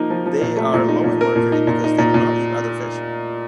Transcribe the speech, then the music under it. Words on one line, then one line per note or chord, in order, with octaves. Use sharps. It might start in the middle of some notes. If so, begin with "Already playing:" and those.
They are low in mercury because they do not eat other fish.
Already playing: F3 A#3 D#4
F3
F3
A#2
A3
A#2
D#4
A#2
A#4
A#2
D#4
A#2
D#4
A#2
A#2